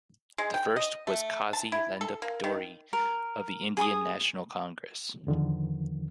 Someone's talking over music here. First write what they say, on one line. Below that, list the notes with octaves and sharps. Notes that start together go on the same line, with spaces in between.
The first was Kazi Lhendup Dorjee of the Indian National Congress.
G#3
G5
D#5
A3
A5
E4
A4
A#3
D#3
A#4
G#4 G#5 B5 D#6
E2 D3 D#3 F3